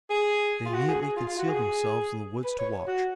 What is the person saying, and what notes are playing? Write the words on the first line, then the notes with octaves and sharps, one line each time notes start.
They immediately concealed themselves in the woods to watch.
G#4
F4
F#4
G#4
G#4
F4
F4
F#4
G#4
B4
C#5
F#4